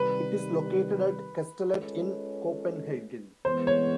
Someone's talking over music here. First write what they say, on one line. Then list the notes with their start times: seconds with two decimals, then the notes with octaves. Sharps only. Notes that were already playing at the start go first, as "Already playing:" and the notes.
It is located at Kastellet in Copenhagen.
Already playing: C3 D#3 G3 B4
1.69 G#3 C#4 F4 A4 C#5
3.45 E3 G#3 B3 C5
3.67 C#5